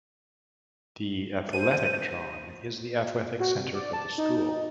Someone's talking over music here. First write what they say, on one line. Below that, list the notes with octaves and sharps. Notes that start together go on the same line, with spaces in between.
The "Athletictron" is the athletic center for the school.
C5 D#7
F#4
C3
D5
A5
D#4